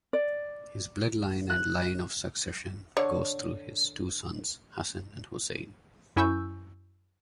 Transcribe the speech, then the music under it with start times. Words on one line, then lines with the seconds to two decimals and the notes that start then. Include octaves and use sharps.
His bloodline and line of succession goes through his two sons Hasan and Hussein.
0.13 D5
1.50 F#6
2.97 D3 C#5
6.16 F#2 E4 G#5 C#6 E6 G6